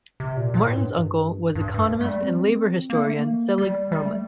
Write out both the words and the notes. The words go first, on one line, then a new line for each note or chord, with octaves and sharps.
Martin's uncle was economist and labor historian Selig Perlman.
C3
A#2
A#2
A2
G2
G2
G2
A3
G3
C4
A#3
A3
A#3
G3
G3
A3